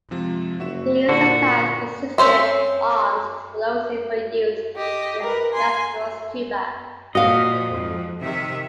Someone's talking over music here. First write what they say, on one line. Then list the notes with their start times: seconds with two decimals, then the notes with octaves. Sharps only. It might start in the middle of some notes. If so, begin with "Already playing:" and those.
These supplies consisted of arms and explosives for use against Castro's Cuba.
0.11 C3 F3 G#3
0.60 F#1 F#4 E5 E7
1.09 A#2 D3 E4 F#4 G4
2.18 C4 C#4 C5 E5
4.76 G4 D#5
5.23 A#4 B4
5.53 G#5 C6
7.15 A#2 F3 F#4 D#5 F5
7.70 F2 G#2
8.21 C3 D#3 E5